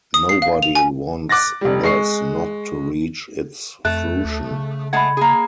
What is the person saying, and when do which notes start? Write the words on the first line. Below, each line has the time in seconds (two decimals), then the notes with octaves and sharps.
Nobody wants this not to reach its fruition.
0.14 D#6
0.29 C7
0.42 F5
0.63 F7
0.75 G#5
1.29 D6 F#6 A6 A#6
1.61 F1 G3
1.83 G#3 C#6 C7
3.85 F2 A3 F#6
4.24 D2
4.51 C#3
4.93 G#3 A3 F#5 B5 G#6
5.17 A#3 G#4